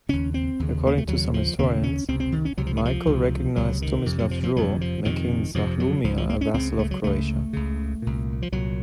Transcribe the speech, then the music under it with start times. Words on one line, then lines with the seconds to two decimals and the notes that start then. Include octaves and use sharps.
According to some historians, Michael recognized Tomislav's rule, making Zachlumia a vassal of Croatia.
0.09 D#2 C#3 C#4
0.34 C4
0.60 D#2 C#3
0.87 A#3
0.98 A3
1.08 D#2 C#3 F#3
1.34 F3
1.59 D#2 C#3 A#3
1.83 C#4
2.08 C#2 C3 C4
2.20 C4
2.32 D#3
2.45 C#4
2.58 C#2 C3 F#3
2.67 F3
2.77 D#3
2.85 F3
3.07 C#2 C3
3.56 C#2 C3 F#3
3.82 D#3
4.06 F2 C3
4.19 F#3
4.31 F3
4.43 F3
4.56 F2 C3 F#3
4.81 F3
5.05 F2 C3 D#3
5.54 F2 C3 F3
5.80 F#3
6.04 C#2 C#3 F3
6.17 F3
6.29 A#3
6.41 C#4
6.54 C#2 C#3 C4
6.79 A3
6.91 F#3
7.04 C#2 C#3 A3
7.53 C#2 C#3
8.02 C2 A#2
8.42 F3
8.52 C2 A#2 F#3